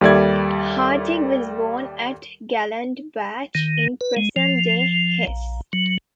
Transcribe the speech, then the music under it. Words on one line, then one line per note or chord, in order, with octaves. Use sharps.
Hartig was born at Gladenbach, in present-day Hesse.
D#2 G3 A4 D5 E5 G#6
D#3
B4
G#3
F3
A#1
F#3